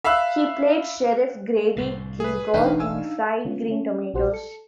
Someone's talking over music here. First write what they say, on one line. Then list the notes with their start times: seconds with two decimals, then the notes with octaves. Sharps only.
He played Sheriff Grady Kilgore in "Fried Green Tomatoes".
0.04 E5 F5 B5 E6 F#6
1.77 C2 A2 D3
2.20 G#4 B4
2.54 E1 A1 E2 D4 D#4 B4 F5 G5
2.80 G#5 E6
3.45 D3 G#3 B3 C#4 F4
3.71 C#4
4.14 A#1 F#4 G4 C5 F#5
4.32 A4 C#7